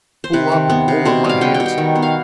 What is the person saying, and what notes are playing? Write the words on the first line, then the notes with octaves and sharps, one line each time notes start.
Pull up and hold up my hands?
C5
C3 B4
D#3
B3
C3
B2 C5
G3 F5
B3 G5
G5
B2
G5
D#3
B3
F5